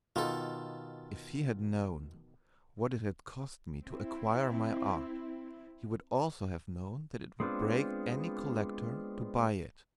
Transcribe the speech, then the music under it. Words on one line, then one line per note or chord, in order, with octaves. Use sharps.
If he had known what it had cost me to acquire my art, he would also have known that it would break any collector to buy it.
B2 D#3 F4 A4
C4 E4
G#3 B3 C4 D4 F4